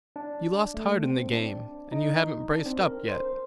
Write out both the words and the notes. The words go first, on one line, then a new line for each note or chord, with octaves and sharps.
You lost heart in the game, and you haven't braced up yet.
D4
A3
C4
D4
D#4
D4
C4
A#4
C5